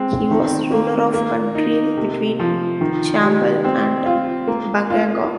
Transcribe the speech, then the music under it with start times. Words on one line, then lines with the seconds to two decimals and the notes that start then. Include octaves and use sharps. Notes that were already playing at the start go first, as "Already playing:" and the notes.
He was ruler of country between Chambal and Banganga.
Already playing: G#3 C4
0.31 D#3
0.72 A#3
1.14 A#3
1.55 D#4
1.97 C3
2.40 F3
2.81 D#3
3.23 G3
3.64 C4
4.06 F4
4.48 A#3
4.90 F4